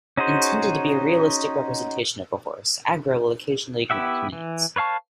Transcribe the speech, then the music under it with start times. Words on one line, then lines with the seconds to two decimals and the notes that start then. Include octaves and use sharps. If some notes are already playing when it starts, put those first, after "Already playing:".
Intended to be a realistic representation of a horse, Agro will occasionally ignore commands.
0.17 C#4 D#4 F#4 G#4 C5
3.90 B3 E4 G4 E5 F#5
4.33 E3
4.76 B4 C#5 F5 A5 C#6